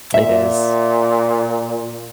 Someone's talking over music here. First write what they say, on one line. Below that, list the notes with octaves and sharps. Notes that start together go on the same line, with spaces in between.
It is.
A#2 E5